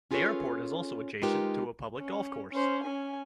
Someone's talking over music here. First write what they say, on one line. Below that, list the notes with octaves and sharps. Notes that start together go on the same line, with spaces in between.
The airport is also adjacent to a public golf course.
C#4 F4 G#4 A4 B4 C#5
G#3 D#4 F4 G4 A#4 B4
C#4
C#4 C5
C#4 G#5